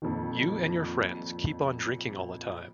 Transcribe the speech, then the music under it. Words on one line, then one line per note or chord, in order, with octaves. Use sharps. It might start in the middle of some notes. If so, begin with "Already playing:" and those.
You and your friends keep on drinking all the time.
F2 A#2 D#3